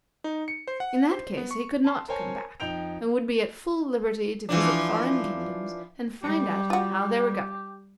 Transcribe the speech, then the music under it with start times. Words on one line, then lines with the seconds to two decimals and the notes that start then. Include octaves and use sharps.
In that case he could not come back, and would be at full liberty to visit foreign kingdoms, and find out how they were governed.
0.24 D#4
0.48 C#7
0.67 C5
0.80 F#5
1.11 C5
1.37 B3
1.51 C#6
1.84 A5 C6
2.08 A#4 C5 C#5 G#5 A5
2.60 F2 D#4 G5 G6 D7 F7
4.49 E3 F3 D4
6.23 G3 G4
6.70 F4 F#4